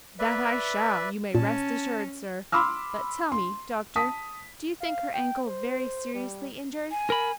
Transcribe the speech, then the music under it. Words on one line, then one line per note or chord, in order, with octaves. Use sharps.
"That I shall, you may rest assured, sir; but tell me doctor, do you think her ankle very seriously injured?"
B4 D5 E5
A#2 C#4 A5
B5 C6 D6 E6 F6
C6
A5 D#6 B6
F5
G5
C5
G3
G#5
A#4 B5